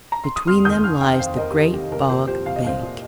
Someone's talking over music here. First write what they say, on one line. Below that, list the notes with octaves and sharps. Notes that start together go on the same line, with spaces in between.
"Between them lies the Great Fog Bank."
A#5
C6
D#6
F1 C6 F6
D#2 D#6 G6
D#3 C6 F6
F1 G5 C6
F1 C5 F5
D#2 A#4 D#5
G4
D#3 A#4
F1 G4
C2 A#4
A#2 G4 C5
F3 G4 C5
C2 F5
D#5
C2 C5 F5
A#2